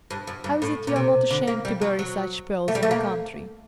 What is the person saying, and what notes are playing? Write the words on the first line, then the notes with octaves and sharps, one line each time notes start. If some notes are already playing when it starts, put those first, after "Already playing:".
"How is it you're not ashamed to bury such pearls in the country?"
G2
F#2
G2
A2
A#2
C3
D3
A#3
G3
F#3
F#3
A3
G3
A3
A#3